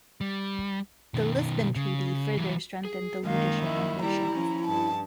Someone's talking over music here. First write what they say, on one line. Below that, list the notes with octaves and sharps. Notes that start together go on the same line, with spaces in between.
The Lisbon Treaty further strengthened the leadership ambitions.
G3
B2 D#3
C#3
E3 G3
G#4
F#2 D#3 G#3 A#3 F5
F3 E4 D#5
G3 E4 A#5
F3 C#4
G2 A5